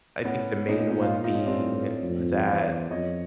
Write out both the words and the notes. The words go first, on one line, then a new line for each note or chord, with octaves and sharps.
I think the main one being that
A2 B3 C#4
A#2 C#4 D#4
C#4 D#4
C#4 D#4
D#4 F4
D#4 F4
C#4 D#4
C4 D4
A2
F2
E2 C5 D5
F2 C#5 D#5